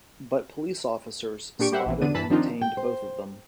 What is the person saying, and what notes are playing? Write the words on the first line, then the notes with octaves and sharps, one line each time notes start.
But police officers spotted and detained both of them.
A#2 D4 G4 C#6 D7
G3 A#3 G4 C5 E5 F#5
A#1 B2 E3
E2 D3 B3 D4 D#7
G2 E3 A5 B5
D#3 F3 C4 D4 D#4 F4
G5
C5